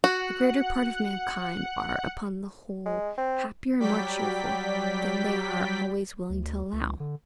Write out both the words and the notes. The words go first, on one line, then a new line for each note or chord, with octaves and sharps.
The greater part of mankind are, upon the whole, happier and more cheerful than they are always willing to allow.
F#4 F#5
G#3
C4
F#3 G3 D5 G5 B6
D2
C#2
D3